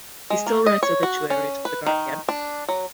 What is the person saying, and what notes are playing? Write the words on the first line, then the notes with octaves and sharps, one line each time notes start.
He still writes obituaries for The Guardian.
G#3
A#3
D#5
C#5
F#4
C#4
B4
D#3
D4
F#3